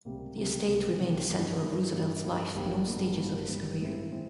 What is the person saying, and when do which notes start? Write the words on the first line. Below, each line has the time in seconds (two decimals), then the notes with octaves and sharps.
The estate remained the center of Roosevelt's life in all stages of his career.
0.05 C#2 C3 G3 A#3
0.37 C#2 C3 G3 A#3
0.68 C#2 C3 G3 A#3
0.99 C#2 C3 G3 A#3
1.30 G2 E3 A#3
1.62 G2 E3 A#3
1.92 G2 E3 A#3
2.24 G2 E3 A#3
2.55 G#1 G2 G3 A#3
2.86 G#1 G2 G3 A#3
3.18 G#1 G2 G3 A#3
3.49 G#1 G2 G3 A#3
3.80 G2 E3 G#3 C4 E4
4.11 E3 G#3 C4 E4